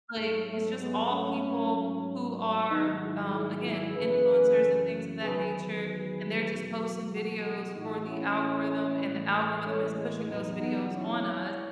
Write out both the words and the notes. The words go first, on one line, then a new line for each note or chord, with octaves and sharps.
Like, it's just all people who are, um, again, influencers and things of that nature, and they're just posting videos for the algorithm, and the algorithm is pushing those videos on us,
G#2 F#3 A3
A3
G#3 B3
A3 C#4
G#2 F#3
G#2 D#3 F#3 B3 D#4
E4 G#4
E4 G#4
E4 G#4
F#2 C#3 E3 G#4 B4
E2 D#3 F#3 G#4 B4
G#4 B4
G#4 B4
E2 B2 F#3
F#4 A4
A2 E3 D#4 F#4
C#4 E4
A2 E3
A3 C#4
G#3
E2 B2 F#3 B3 D#4
B3 D#4
C#4 E4